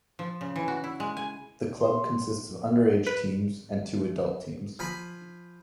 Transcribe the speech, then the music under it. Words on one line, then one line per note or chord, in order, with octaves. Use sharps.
The club consists of underage teams and two adult teams.
F3
C#3
E3
F#4
E4
G#3
G#5
C6
B4
F3 G#5 B5